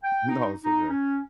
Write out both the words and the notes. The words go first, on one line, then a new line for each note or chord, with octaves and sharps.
No, it's okay.
G5
D#4
D#4
C#4